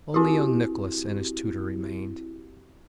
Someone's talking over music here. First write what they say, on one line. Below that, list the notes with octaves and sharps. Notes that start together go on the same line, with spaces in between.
Only young Nicholas and his tutor remained.
C4 E4 F#4 G4